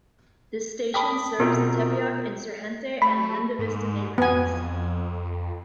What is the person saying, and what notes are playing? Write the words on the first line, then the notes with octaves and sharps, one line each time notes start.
This station serves the Tepeyac Insurgentes and Lindavista neighbourhoods.
G5 A5 B5 D#6 B6
B2 B3 C4 F4 A#4
A3 B5
G#2
F2 B3 G#5